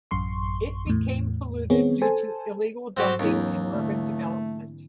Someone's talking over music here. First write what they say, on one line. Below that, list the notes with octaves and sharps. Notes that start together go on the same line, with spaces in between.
It became polluted due to illegal dumping and urban development.
A1 F#2 C6 C#6
E2 A2
D#3 B3 C4 G#4 C#5
A4 C5 G#5 A5
G#2 F#3 C4 F#4 G4 A4
D#2 E3 F#3 A#3 C4 D4 G4 C#5
D3 A3